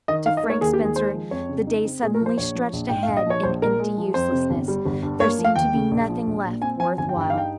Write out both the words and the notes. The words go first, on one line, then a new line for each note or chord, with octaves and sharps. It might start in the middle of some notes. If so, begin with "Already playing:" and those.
To Frank Spencer the days suddenly stretched ahead in empty uselessness--there seemed to be nothing left worth while.
D#3 D#5
D#4 F5
D#5
A#3
C#5
D#2 G#4
G4
D#3
G#4
G#3 C5
F3
F2 C#5
C#3
D#4
C4
A#2 G#4
A#4
F3
C5
A#1 C#5
F3
A#1
G#2 G5
F5
A#1
D#5
F3 C#5
A#1 C5
A#2 A#4
G#3
F3
F2 C5
C3
G1
G3
G1
G2
A#3 C#5
F3
F5
D#2 G5
C#3
A#1
F3
A#1
A#2
C4 G#5
F3 G#5
G1 G#5
G5
G2
G5
D#4 F5
G5